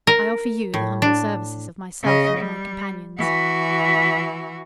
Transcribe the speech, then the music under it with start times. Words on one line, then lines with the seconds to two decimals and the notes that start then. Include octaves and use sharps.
I offer you the humble services of myself and my companions.
0.07 A#4
0.74 A2
1.02 D4
2.03 C#3 D#5
2.37 G3
3.18 E3 F#4